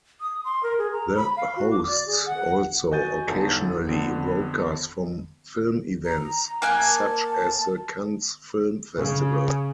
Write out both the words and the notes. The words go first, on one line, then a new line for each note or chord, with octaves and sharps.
The hosts also occasionally broadcast from film events such as the Cannes Film Festival.
D#6
C6
A#4
G#4
A#5
B5
F5
F#4
D6
D5
G#4
F#5
F#4 D#5 G#5 G6 A6 D#7
G1 E2 D#4 A4 A5
F2 D3 B3
A#5
A#3 F5 G#5 F#6
A5
C#3